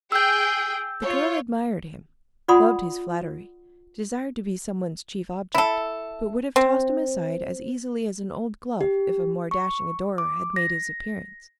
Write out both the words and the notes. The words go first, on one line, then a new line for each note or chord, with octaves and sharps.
The girl admired him, loved his flattery, desired to be some one's chief object, but would have tossed him aside as easily as an old glove if a more dashing adorer had made his appearance.
G#4 G5 E6 G6
F4 C#5
F4 D5 F#5 B5 C6 D#6
E4 A4
C4
G4
C#6
D6
A#6